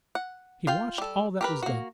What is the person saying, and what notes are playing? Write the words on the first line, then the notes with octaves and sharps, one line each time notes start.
He watched all that was done.
F#5
F4 F5 G5
G3 A4
G4 A#4 B4
A#3 F#4